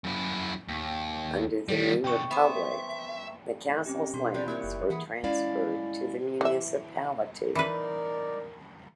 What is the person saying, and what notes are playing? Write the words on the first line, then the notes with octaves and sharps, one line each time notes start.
Under the new Republic, the castle's lands were transferred to the municipality.
F#2 E4
D#2
D#3 G3
B2 D3 G5 C#6
B3 C5 E5
C4 C#4 G4
B2 D4 C6
C3 F4 G4 B4 D5 A#5 G6
A#3 E4 A#4 C#5 D5 F#6
F#1
E3 G#4 B4 F#5
G#3 C#4 E4 D5 F5
E3 E5
E3 D#4 A#4 B4 D5